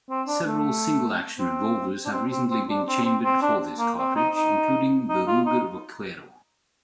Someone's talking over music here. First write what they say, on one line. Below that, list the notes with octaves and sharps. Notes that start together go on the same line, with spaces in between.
Several single-action revolvers have recently been chambered for this cartridge, including the Ruger Vaquero.
C4
D4
A3
C4
D4
C4
C4
C4
D4
C4
C4
C4
D4
A#3
C4
D#4
D#4
D#4
F4
D#4